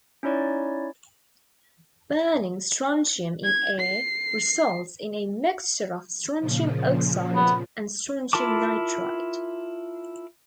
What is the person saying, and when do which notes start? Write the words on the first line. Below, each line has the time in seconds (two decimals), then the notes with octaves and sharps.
Burning strontium in air results in a mixture of strontium oxide and strontium nitride.
0.23 C#4 D#4 E4 C#5 D5
3.44 G#6
3.80 C7
6.39 A#2 C#3 F3
7.35 B3
8.33 E4 F4 A#4 A5 D6